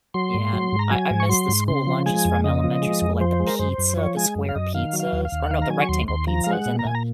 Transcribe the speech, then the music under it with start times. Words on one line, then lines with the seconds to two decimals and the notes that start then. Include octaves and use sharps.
Yeah, an I I missed the school lunches from elementary school, like the pizza, the square pizzas, or no, the rectangle pizzas and the
0.14 F#3 C6
0.34 G#2
0.53 F#3
0.73 G#2
0.79 A#5
0.91 F#3 G#5
1.10 G#2
1.20 C#6
1.29 F#3 C6
1.48 G#2
1.68 C#3 C6
1.87 F3
2.06 G#3 G#5
2.25 F2
2.44 C#3 D#5
2.64 F3
2.82 G#3
3.02 F2
3.21 F3 C5
3.40 G#3
3.47 A#4
3.59 F#2 C5
3.78 F#2
3.97 F3 C#5
4.17 G#3 G#5
4.36 F#2
4.49 F5
4.55 F#2 D#5
4.74 D#3 F5
4.93 F#3
5.00 F5
5.12 D#2
5.25 F5
5.32 D#2
5.44 F#5
5.51 D#3 F5
5.62 A#5
5.69 F#3 G#5
5.82 C#6
5.89 D#2 C6
6.08 D#2 C6
6.27 F3 A#5
6.44 G#3 F5
6.53 F#5
6.66 A#2
6.79 A#5
6.85 A#2 G#5
6.95 A#5